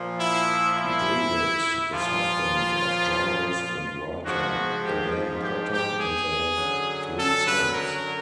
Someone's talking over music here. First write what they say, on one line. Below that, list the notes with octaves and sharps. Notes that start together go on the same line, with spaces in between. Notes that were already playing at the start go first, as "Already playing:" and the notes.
David is husband of journalist and writer, Elaine Potter and they have three sons.
Already playing: A#2 F3
E4
E4
A#2 F3 F4
G#2 F3 F#4
G4
G4
G4
G#4
F#2 D3 F#3
A4
B4
A#4